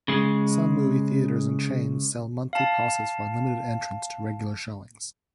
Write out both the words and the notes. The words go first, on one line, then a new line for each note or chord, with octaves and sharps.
Some movie theaters and chains sell monthly passes for unlimited entrance to regular showings.
C#3 G#3
F5 A5